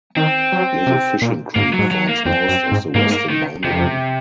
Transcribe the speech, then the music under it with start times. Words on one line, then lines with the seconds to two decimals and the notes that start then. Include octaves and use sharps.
Little Fishing Creek forms most of the western boundary.
0.17 D#3 C4
0.52 F#3
0.87 C3
1.22 A#2
1.56 G#2 A#3
1.74 F#3
1.79 G#2
1.91 F#3
2.09 A#3
2.26 F2 C4
2.48 F#2
2.72 G#2
2.95 G#2 A#3
3.12 A#3
3.30 D#3
3.64 F2 C3